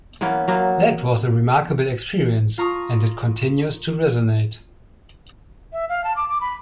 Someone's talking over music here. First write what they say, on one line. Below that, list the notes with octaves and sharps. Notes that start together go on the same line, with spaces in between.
That was a remarkable experience-and it continues to resonate.
E3 A#3 B3 C#4
F#3 A#3 B3
F4 A#5 C#6 D#6
E5
F5
A5
D6
D6
B5